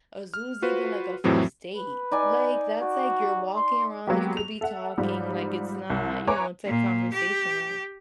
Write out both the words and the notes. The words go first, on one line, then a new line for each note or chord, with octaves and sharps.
"A zoo's even like a first date." Like that's like, you're walking around, you could be talking, like it's not, you know, it's like conversational.
F6
F4 F#4 B4 C5
F2 A2 E3 F#3 C4
B4
D#4 D5 G#5
F#4
C6
F#3 G#3 A#3 B3 G4
F7
A4 E5 F#5
G#2 F3 G3
C2
B4 C#5 E5 G#5 A#5 D6
A#2
G4